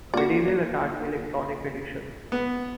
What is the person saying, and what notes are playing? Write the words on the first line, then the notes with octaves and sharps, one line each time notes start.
Medieval Academy Electronic Editions.
A#3 F4 F#4 D5
B3